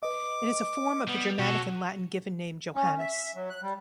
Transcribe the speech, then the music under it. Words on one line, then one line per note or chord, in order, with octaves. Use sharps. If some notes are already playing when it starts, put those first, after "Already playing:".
It is a form of the Germanic and Latin given name Johannes.
B4 D#5 D6
G3 B3
B2 C#4 F#4 A4
C#4
E5
F#3
F#6
G3